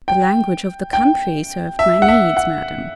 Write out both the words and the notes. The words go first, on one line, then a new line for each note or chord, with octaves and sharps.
"The language of the country served my needs, madam."
G5
G5
E5
F#5
E5
F#5